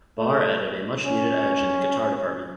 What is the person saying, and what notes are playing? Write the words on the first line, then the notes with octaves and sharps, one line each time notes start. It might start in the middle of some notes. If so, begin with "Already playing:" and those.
Barr added a much needed edge in the guitar department.
A3
C#4